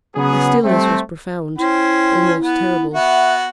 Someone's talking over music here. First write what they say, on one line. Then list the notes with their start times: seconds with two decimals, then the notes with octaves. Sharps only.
The stillness was profound, almost terrible.
0.15 C#3 F#3 B3 G#4
0.64 G3 A3 C4
1.58 C#4 E4 C5 G5
2.40 B3
2.94 B3 F#4 E5